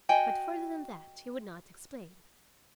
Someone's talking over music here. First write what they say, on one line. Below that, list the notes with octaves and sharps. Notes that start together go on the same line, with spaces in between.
But further than that he would not explain.
F#4 D#5 G5 G#5